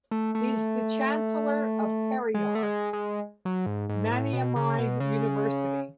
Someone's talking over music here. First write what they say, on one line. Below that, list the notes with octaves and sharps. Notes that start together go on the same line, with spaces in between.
He is the Chancellor of Periyar Maniammai University.
A3
A3
G#3
A3
G#3
G#3
F#3
G#2
G#2
A2
B2
C#3
B2
C#3